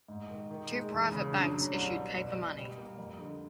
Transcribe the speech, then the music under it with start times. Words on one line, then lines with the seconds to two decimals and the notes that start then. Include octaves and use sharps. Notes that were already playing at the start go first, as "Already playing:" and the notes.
Two private banks issued paper money.
0.08 G#2
0.30 D#3
0.51 D#3
0.71 G#3
0.91 E2
1.12 C#3
1.32 D4
1.54 F#3
1.73 C2
1.95 B2
2.15 C2
2.36 B2
2.57 G3
2.77 A#3
2.98 F2
3.19 D3